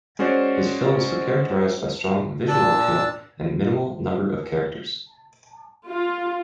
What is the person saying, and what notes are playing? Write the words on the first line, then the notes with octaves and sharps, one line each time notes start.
His films were characterised by strong "visual appeal" and minimal number of characters.
G#3 C#4 F#4 C5 D5
A#2 D4 A5 E6
F4